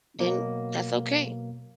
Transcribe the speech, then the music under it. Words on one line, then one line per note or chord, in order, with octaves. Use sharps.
then, that's okay,
B2 F#3 A#3